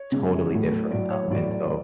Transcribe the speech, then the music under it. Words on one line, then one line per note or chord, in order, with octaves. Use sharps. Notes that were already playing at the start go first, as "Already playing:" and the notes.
totally different, um, and so
Already playing: C#5
C#3 G#3
A2 F#3 A3
A2 F#3 A3 D5
C#5
A2 F#3 A3 D5
D5